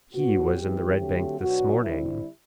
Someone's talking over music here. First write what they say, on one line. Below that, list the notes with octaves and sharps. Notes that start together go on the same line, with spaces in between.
He was in the Red Bank this morning.
A#2 F#3 B3 F#4
E3 G#3 C4 G4
D3 F#3 A3 C4
B2 F#3 B3 D4 F#4
D3 G3 C4 E4